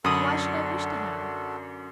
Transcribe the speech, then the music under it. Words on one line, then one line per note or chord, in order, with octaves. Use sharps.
Why should I wish to have?
F#2 D3 F#4 A4 B5 D#6